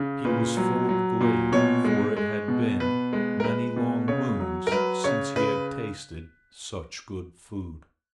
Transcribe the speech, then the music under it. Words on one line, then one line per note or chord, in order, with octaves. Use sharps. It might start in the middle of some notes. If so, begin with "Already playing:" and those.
He was full of glee, for it had been many long moons since he had tasted such good food.
Already playing: C#3
A#2 B4
F#3
F#3
A#2
B2 C#5
G#3
G#3
B2
B2 B4
G#3
A#4
G#3 B4
B2
C#3 C#5
F#3
A#4
F#3 B4
C#3 C#5
C#3 B4